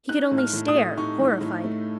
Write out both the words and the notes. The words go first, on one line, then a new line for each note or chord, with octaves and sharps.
He could only stare, horrified.
D#4 F#6
A2
F6
A2
D#6
A3
D#4 C#6
A2
A2
A3